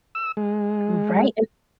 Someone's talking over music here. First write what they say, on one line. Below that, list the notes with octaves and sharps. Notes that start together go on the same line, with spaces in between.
Right, an
E6
G#3